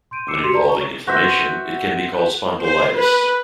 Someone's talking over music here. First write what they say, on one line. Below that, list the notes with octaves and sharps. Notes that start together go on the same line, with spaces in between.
When involving inflammation, it can be called spondylitis.
C6 G6 D7 D#7
D6 E6 C7 C#7 E7
F#4 G4 C6 B6 C#7 F7
B4 D5 A5 A#5
F#4 C#5 A#5 C#6 G7
F#4 C5 E5
C5
B4